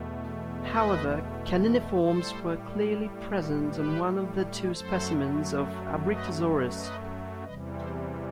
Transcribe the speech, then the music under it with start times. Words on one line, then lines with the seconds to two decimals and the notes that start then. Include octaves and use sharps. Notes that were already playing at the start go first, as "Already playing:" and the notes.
However, caniniforms were clearly present on one of the two specimens of "Abrictosaurus".
Already playing: E2 B2 A3
0.63 B4 D#5
1.98 A2 G3 A4 C5
3.35 F#4 A4
3.69 G4 B4
4.72 F#2 F#3 A3 A4 C5
6.08 B4 D#5
6.75 B4 D#5
7.44 E2 C3 E3 G3 B4 D#5
7.78 A4 C5